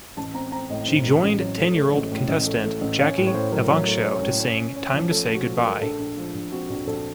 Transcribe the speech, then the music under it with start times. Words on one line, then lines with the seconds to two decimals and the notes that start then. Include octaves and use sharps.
She joined ten-year-old contestant Jackie Evancho to sing "Time to Say Goodbye".
0.17 A1 A5
0.34 C4 A#5
0.52 C4 A#5
0.70 A2 D#5
0.87 A1 C5
1.06 A2
1.22 A1
1.40 F#3
1.57 A3
1.75 A3
1.93 A1
2.12 A2
2.29 A1
2.46 A3
2.64 A3
2.81 A1
2.99 C#4 F5
3.17 A2
3.27 C#5
3.34 A2 C5
3.52 F#3 A#4
3.70 F#3
3.87 A3
4.05 C#4
4.23 A2
4.40 C#4
4.58 C#4
4.76 C#4
4.93 F3
5.11 A3 A4
5.29 A3
5.34 F#4
5.46 F3
5.58 A#4
5.64 A3
5.81 A#1 A4
5.99 A#1
6.17 F3
6.35 A#1
6.52 C4 F#4
6.69 A#1 F#4
6.87 A#1 A4